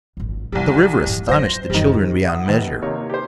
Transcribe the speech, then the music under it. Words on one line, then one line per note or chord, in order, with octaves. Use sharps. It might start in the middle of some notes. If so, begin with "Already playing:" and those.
The river astonished the children beyond measure.
G#1 C#2
C2 E3 F3 G3
G#2
F#3 C5 A#6
D1 F#2 D#3 G3
E5 F#5 D#6
D#2 B4
C3 A#3 D#4 C#5
G4 C5